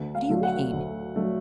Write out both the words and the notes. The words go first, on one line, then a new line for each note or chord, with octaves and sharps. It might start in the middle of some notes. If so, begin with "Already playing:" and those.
"What do you mean?"
Already playing: D2
F5
D3 F#3 A3
F#5
D2
D3 F#3 A3